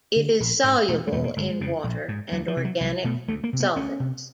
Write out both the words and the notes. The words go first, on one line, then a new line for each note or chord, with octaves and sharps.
It is soluble in water and organic solvents.
D3
A#1
G#2
E1 A3
G#3
E2 B2 A3
A#3
G1 G#3
F2 C#3
A#1
G#2
D2 F#3
F3
C3
F#3
C2 F#3
B2 A3
D2 A3
A#3
C3
B3
D2 C#4
C3